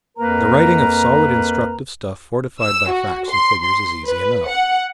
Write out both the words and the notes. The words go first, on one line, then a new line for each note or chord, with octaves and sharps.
The writing of solid, instructive stuff fortified by facts and figures is easy enough.
F2 A#3 A#4 B4 A#5
E6
F#4
C6
C6
B4
F#5